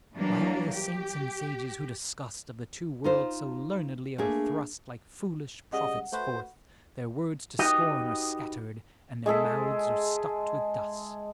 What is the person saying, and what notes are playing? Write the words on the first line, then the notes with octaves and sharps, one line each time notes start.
Why, all the Saints and Sages who discuss'd Of the Two Worlds so learnedly, are thrust Like foolish Prophets forth; their Words to Scorn Are scatter'd, and their Mouths are stopt with Dust.
E3 F#3 G3 A#3 D4
G4
D#4 F4 C5
A3 A#3 D4 G#4
C#3 G3 G#3 D#5 F#5
A3 F#4 B4 C5
D#4 F#4 G4 B4 D#5
G#3 G#4 A4 E5